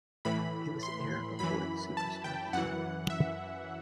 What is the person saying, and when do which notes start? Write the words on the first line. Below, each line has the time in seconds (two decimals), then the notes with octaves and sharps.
It was the era before the superstar designer.
0.25 A2 E3 B5
0.83 C6
1.39 F#2 E3 B5
1.97 A5
2.24 G5
2.53 F#2 E3 F#5
3.10 E5